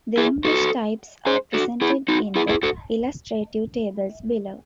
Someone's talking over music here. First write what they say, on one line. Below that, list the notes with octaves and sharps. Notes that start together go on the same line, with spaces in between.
The English types are presented in the illustrative tables below.
E4 G#4
F#4 A4
G#4 C5
F#4 A4
E4 G#4
D#4 F#4
E4 G#4
E4 G#4
F#4 A4